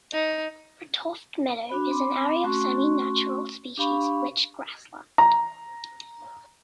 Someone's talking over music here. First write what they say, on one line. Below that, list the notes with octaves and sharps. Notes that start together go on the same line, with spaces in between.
Bratoft Meadow is an area of semi-natural species rich grassland.
D#4
D4 F#4 B5
C4 B5 C6 D6
A3 C#4 F#4 C6 C#6
D4 G4 F5 B5 C#6
A#5